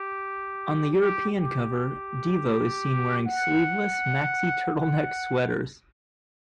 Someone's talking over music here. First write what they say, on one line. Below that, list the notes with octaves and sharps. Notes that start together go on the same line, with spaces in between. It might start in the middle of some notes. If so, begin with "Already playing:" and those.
On the European cover, Devo is seen wearing Sleeveless Maxi-Turtleneck Sweaters.
Already playing: G4
G4
G4
F#5
F#5